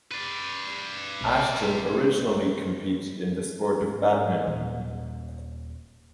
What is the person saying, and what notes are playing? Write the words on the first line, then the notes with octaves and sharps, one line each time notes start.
Ashton originally competed in the sport of badminton.
B4 D5
B1
G#2
D#1